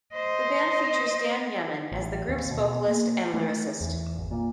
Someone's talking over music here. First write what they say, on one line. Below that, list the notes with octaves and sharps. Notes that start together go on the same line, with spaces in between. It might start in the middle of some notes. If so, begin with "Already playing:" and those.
The band features Dan Yemin as the group's vocalist and lyricist.
C5 D#5
A1
D#2
B2
A#3
A3
E2
G#1
A#2